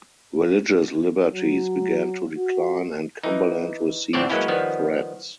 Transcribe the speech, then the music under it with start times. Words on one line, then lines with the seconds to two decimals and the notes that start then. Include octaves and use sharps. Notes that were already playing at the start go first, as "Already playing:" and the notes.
Religious liberties began to decline and Cumberland received threats.
1.33 F#3
2.37 F#4
3.23 E3 D#4
4.13 D2 A2 C4 D4 C#5 D5
4.30 F#3 G#3 A#3 B3 C#4 E4
4.48 D#3 F3 G3 B3